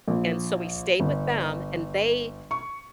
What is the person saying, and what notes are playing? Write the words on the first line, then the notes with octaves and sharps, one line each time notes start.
and so we stayed with them and they
A#1
G1
C#6